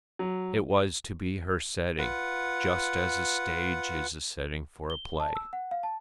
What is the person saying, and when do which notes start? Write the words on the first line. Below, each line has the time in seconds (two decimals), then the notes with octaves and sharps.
It was to be her setting, just as a stage is the setting for a play.
0.19 F#3
1.99 F4 B4 F#5
4.90 G7
5.20 A5
5.36 E6
5.53 F#5
5.71 F5
5.83 A5